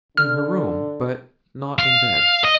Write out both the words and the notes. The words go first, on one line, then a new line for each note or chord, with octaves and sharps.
'In her room, but not in bed.'
D3 F6
F5
D#5